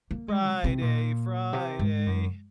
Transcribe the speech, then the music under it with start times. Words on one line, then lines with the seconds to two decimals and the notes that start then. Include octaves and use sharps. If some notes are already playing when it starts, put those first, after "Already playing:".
Friday. Friday.
0.11 A#3
0.28 G#3
0.46 C3
0.64 C3
0.81 A#2
1.53 C3
1.79 G#2
2.07 F#2